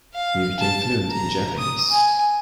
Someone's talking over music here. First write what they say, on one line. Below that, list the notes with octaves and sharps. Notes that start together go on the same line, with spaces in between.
He became fluent in Japanese.
F5
A5
A#5
D#6
G#5